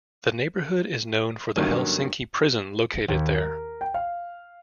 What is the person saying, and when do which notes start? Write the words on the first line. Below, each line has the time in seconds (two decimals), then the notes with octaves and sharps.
The neighbourhood is known for the Helsinki Prison located there.
1.56 G2 D3 D#3 F#3 A#3 C#4
3.08 D#2
3.37 A#4
3.81 G5
3.94 F5